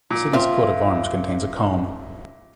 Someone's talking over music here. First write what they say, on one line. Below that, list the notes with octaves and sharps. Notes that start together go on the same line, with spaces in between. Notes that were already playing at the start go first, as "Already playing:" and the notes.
The city's coat of arms contains a comb.
A#2
C4 F4 E5